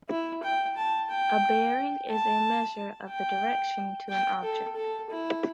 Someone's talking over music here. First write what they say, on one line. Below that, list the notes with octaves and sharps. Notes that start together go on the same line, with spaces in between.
A bearing is a measure of the direction to an object.
E4
G5
A5
G5
A5
G5
G5
A4
A4
E4